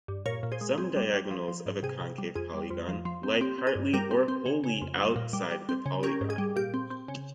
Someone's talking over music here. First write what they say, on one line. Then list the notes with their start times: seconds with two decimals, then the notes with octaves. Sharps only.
Some diagonals of a concave polygon lie partly or wholly outside the polygon.
0.08 G2
0.26 A#2 A#4 C#5
0.43 A#2
0.52 G#4 C5
0.61 G#3
0.78 C4 G#4
0.96 G3
1.14 G3
1.31 F3
1.48 F3
1.66 G#2
1.83 C3 G#4
2.01 C3
2.18 G3
2.35 F2 G#4
2.54 G3
2.70 F2
2.88 F3
3.05 F3
3.23 C4
3.41 C4 G4
3.58 C4
3.67 G#4
3.75 G2
3.93 G3 G4 A#4
4.11 C4
4.28 C4
4.46 C#3
4.64 C#3
4.81 F2
4.98 G3
5.16 A#2
5.33 G3
5.51 G3
5.69 C4
5.86 C#3
6.03 C#4 G4 A#4
6.21 G#2
6.30 G#4
6.38 G3
6.56 A#2 G4
6.74 C4
6.90 C4
7.08 C#3